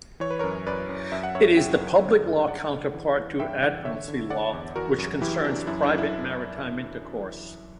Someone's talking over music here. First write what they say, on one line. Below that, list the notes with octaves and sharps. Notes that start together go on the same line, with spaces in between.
It is the public law counterpart to admiralty law, which concerns private maritime intercourse.
E3 C#5
B4
F#2 A#4 C#5
F#2 B4 D5
F#2
F#2 E5
F#5
F#2 C#5 E5
C#3 E5 G5
F#2
D3
G2
G2 D5 F#5
D3
E3
E3
G2 E5 G5
E3 D5 F#5
D3 C#5 E5
D3
D3 D5 F#5
E2
E3 F#4 A#4
F#2
E3 E4 G4
E3 D4
F#2 E4
D4
F#2
E4